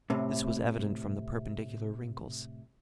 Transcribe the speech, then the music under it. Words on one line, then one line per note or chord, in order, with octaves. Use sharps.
This was evident from the perpendicular wrinkles.
A2 C3